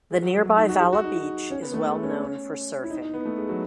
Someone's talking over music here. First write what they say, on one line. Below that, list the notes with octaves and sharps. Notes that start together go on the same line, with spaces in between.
The nearby Valla Beach is well known for surfing.
G#3
F#3
F#3
F#3
D#4
F#4
G#4
F#4
D#4
C#4
B3
A3
G#3
C#4
E4
D#4
D#4
B3
A3
G#3
F#3